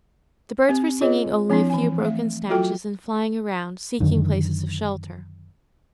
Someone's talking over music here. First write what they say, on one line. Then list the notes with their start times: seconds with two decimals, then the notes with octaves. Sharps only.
The birds were singing only a few broken snatches, and flying around, seeking places of shelter.
0.69 C4 G4
1.01 F4 G#4 C#5 D#5
1.50 F3 C4 D4 E4
1.70 E3 G#5
2.00 A3 E5
2.49 F#3 F4 F#4 A4 G5
4.00 F#2 D3 D#3